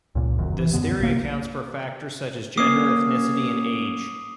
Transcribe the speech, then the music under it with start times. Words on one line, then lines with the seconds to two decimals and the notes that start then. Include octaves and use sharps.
This theory accounts for factors such as gender, ethnicity and age.
0.15 C#2 A#2
0.38 E1 C2 F#2 D#3
0.59 E3
0.74 F#2 B2 D3 B3
0.99 A#1 C3 A#3
2.57 A#3 C#4 D6 D#6 C7